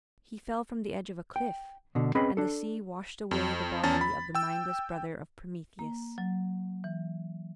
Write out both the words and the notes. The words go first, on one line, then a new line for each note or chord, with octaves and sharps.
He fell from the edge of a cliff, and the sea washed away the body of the mindless brother of Prometheus.
G5
B2 D3
C4 C#4 G#4 B4 D#5 B5
D4 A4
F2
E2 C#4 A5 A6
B5
G5 E6
A#3
F#3
E3